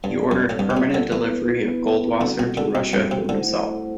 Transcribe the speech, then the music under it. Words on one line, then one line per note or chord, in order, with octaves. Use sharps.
He ordered permanent delivery of Goldwasser to Russia for himself.
G2 G3 C4 G4 D5
F#2
A2
G2 G3 C4 G4 D5
C3
B2
D3
E3 B3 E4 B4
B3 E4 B4
D3 G3 C4 F#4 A4
B2
D3
C3 G3 C4 F#4 A4
G2
C3
D3 A3 E4 A4 C5 F#5